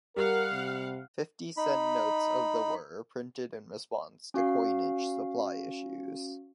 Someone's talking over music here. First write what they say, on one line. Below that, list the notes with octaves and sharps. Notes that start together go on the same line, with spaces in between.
Fifty sen notes of the were printed in response to coinage supply issues.
G3 A#4 F5 F#5
C3
D#4 B5
C#4 F#4 F5 C7